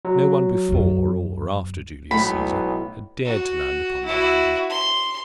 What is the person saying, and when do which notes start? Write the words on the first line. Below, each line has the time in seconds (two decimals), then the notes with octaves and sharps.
No one before or after Julius Caesar had dared to land upon the island.
0.05 F#3
0.69 F#2 B2
2.11 B1 A2 G#3 B3 B5
3.25 F#4
4.05 E4 F#4
4.70 C6